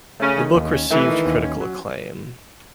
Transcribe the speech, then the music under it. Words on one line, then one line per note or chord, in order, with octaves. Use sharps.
The book received critical acclaim.
C#3 A3 C#4
D#3
D#2
C#4
E3 A3
D#3
D#2
C#4
F#3